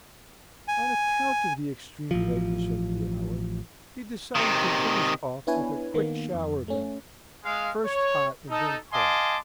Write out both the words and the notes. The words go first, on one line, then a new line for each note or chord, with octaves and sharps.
On account of the extreme lateness of the hour, he decided to finish off with a quick shower-bath, first hot and then cold.
G#5
A1 F3
C3 D#3
B3 D4 E4 B4 C#5 G#5
D#3 A#3 B3
F2
A3 C#4
G#3 F5
C#5
D#4 A4
D#5 F5 G#5 A5 C6 D6